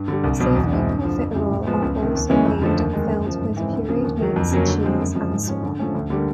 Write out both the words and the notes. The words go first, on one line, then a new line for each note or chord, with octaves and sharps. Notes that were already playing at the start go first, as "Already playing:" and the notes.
Savory profiterole are also made, filled with pureed meats, cheese, and so on.
Already playing: G2
D3 G3
C2
B2 F#3
E2
B2 G#3 C4 E4
G2
D3 F3
F2
C#3 E3 G3
A2
F3 G#3 B3
C#2
C3 D#3
D#2
C#3 E3 G#3 C#4
F2
D3 F3 A3
D#2
D#3 G#3
F#2
C#3 F3
G#2
E3 G#3 C4
D2
C#3 F3 A#3
D#2
D#3 F#3 A#3
F2
C#3 F#3 A#3 C#4
D3
F3 G#3 C4
F#2
C#3 F3 G#3
G#2
F3 G#3 C#4
D3
F3 A3 C#4
D2
D3 G3 A#3